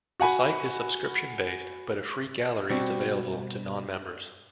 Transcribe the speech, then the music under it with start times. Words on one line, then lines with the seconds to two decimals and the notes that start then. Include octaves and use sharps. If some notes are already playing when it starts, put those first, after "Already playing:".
The site is subscription-based, but a free gallery is available to non-members.
0.20 F#4 F#5 G#5 B5
2.70 B2 G3 C4 F#4